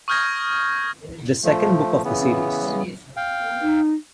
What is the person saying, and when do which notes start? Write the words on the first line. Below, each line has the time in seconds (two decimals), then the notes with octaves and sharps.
The second book of the series.
0.08 C#6 D#6 F6 G6 G#6 A#6
1.44 F3 A3
2.05 C#3 E3 B3
3.17 F5 G5
3.62 D#4